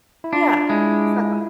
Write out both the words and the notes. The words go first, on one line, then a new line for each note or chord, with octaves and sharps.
Yeah, it's the government,
E4
D4 F4
G#3 E4